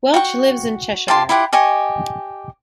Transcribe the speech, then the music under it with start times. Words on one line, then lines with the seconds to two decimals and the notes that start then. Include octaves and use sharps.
Welch lives in Cheshire.
0.14 F#4 G5 C#6
1.08 F4 G4 A5 C6
1.29 E4 F4 G4 F#5
1.53 G4 D#5 G#5 C#6